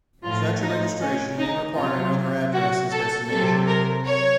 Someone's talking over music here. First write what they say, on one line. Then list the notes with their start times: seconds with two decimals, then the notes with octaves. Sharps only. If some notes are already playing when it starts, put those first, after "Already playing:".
Such a registration may require another address as destination.
0.24 A2 F3 F4
0.62 D#4
1.00 C#4
1.39 D#4
1.77 C3 F#3 F4
2.53 F#4
2.91 A4
3.29 C3 F#3 A4
3.67 A#4
4.05 C#5